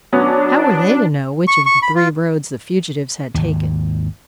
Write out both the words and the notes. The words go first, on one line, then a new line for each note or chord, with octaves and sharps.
How were they to know which of the three roads the fugitives had taken?
F#3 B3 C#4 D4
C#6
C#6
B5
F4
G#1 D#2